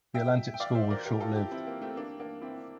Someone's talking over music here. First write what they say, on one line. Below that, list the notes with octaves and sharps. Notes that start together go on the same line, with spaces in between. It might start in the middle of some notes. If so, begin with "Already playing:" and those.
The Atlantic School was short lived.
E5 G5
G5
D5 F5
C5 E5
A#4 D5
G4 A#4
F4 A4
E4 G4
C4 E4
A#3
A3 C4
A#3 D4
A#3 D4
C4 E4